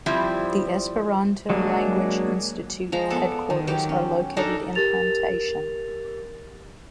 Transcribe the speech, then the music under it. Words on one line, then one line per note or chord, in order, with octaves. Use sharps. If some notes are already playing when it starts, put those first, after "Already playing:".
The Esperanto language institute headquarters are located in Plantation.
F3 G3 C4 E4 G4
F#3 G#3 A#3 D4
F3 G#3 A#5
B3 A4 D5
D#3
D#3 F#3 G4 G5
C#4
D4 D#4 A4 A#4
G4 A#4 A6 F7